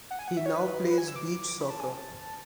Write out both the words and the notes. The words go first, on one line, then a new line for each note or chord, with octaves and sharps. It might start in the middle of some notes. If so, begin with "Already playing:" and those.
He now plays beach soccer.
F#5
G#5
F#5
E5
C#5
B4
B4
G#5
E6
D6
B5
A5
G#5
A5